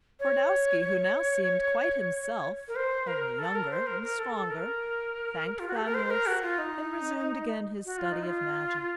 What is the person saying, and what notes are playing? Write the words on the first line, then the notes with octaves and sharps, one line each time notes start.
Twardowski, who now seemed quite himself, only younger, and stronger, thanked Famulus and resumed again his study of magic.
C#5
A#4
C5
A#4
A4
A#4
C5
A#4
A#4
A4
A4
A#4
F4
F#4
A4
A#4
C5
A#4
F#4
F4
D#4
F#4
F4
D#4
F4